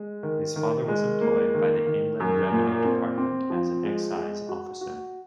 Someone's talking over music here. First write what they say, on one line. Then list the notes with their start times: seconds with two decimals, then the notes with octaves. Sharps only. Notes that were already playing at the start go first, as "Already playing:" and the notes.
His father was employed by the Inland Revenue Department as an excise officer.
Already playing: G#3
0.23 D#3
0.56 D#3
0.88 G#3
1.21 A#3
1.54 D#3
1.87 D#3
2.20 F#2
2.52 A#2
2.84 C4
3.18 C4
3.50 F3
3.84 G#3
4.16 G#3
4.49 F#4
4.81 F#4